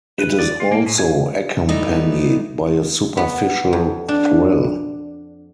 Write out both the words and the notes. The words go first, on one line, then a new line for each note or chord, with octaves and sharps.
It is also accompanied by a superficial thrill.
B4
D5
F4
A#3
A2
G#5
G3 A3 B3 D#4 E4
B3
F2
D4